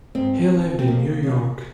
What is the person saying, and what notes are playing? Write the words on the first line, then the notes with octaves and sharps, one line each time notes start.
He lived in New York.
G#2 C4
D#3
C4
F2 A#3
C#3 F3